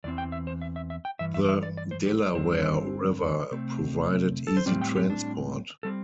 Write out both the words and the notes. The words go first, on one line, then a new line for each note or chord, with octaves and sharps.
The Delaware River provided easy transport.
E2 E3 C4 D5
G5
E5
C5
E5
E5
E5
G5
G2 E3 E5
E5
E5
D5
D5
C5
G4
G2 D3 G3 C4 C5
C3 A3 C4
A4
C5
A2 G3 C4 D5
G5
G4
D4
G3 C4 A4